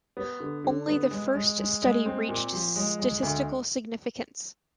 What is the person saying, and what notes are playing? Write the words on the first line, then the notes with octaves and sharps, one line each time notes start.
Only the first study reached statistical significance.
B3
D3
D3
B3
G#3
G#3
G#3
G#3
C4
A#2
F3
G#3
G#3
D2